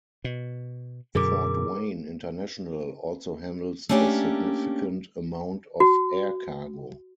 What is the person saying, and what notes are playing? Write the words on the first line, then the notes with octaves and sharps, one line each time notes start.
Fort Wayne International also handles a significant amount of air cargo.
B2
F#2 B2 D3 G#4 A#4 D6
A3 A#3 C#4 D4 G4 A#4
F#4